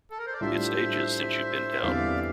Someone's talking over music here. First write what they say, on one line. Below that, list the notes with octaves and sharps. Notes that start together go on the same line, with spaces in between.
It’s ages since you’ve been down.
A4
A#4
C5
D5
A2 G3 D4 F4 C5 E5
E2 D3 G3 C4 E4 D5 F5